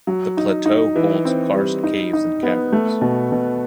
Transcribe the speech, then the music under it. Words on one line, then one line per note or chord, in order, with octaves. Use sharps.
The plateau holds karst caves and caverns.
F#3
D#4
D#4
E3
C4
G3
D#4
D#4
B3
A3
B2
B2